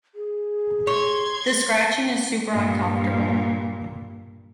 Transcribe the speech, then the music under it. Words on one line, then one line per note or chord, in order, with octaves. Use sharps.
The scratching is super uncomfortable.
G#4
C#5 C6 G#6
G2 A#2